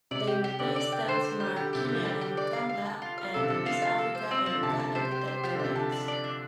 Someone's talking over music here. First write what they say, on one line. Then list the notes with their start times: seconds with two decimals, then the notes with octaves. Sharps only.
They replaced stamps marked "Kenya and Uganda" and "East Africa and Uganda Protectorates".
0.11 C3 D5
0.27 G4
0.44 G4
0.59 D3 D5
0.76 D5
0.92 G5
1.08 D3 C5
1.24 C5
1.40 G4
1.56 D3 G3 G4
1.73 C3 G4
1.85 D3 G4
1.95 F3
2.05 D3 G3 G4
2.21 G4
2.37 D5
2.53 F5
2.69 F5
2.85 A5
3.02 F4
3.18 F5
3.34 C3 A4
3.43 D3
3.50 C3 F3 A4
3.66 F4
3.82 F5
3.98 A4
4.15 C5
4.31 C4
4.46 F3 C4
4.54 D3
4.63 C3 A5
4.70 D3
4.80 A5
4.95 C3 C5
5.11 G4
5.27 C5
5.44 F3 G4
5.54 D3
5.59 G4
5.65 C3
5.75 D3 A5
5.92 D4
6.08 D5
6.24 D4